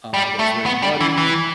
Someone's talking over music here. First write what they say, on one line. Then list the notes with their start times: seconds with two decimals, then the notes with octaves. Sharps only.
uh, that was very muddy
0.14 G3
0.39 A3
0.66 B3
0.82 G3
1.00 E3
1.18 E3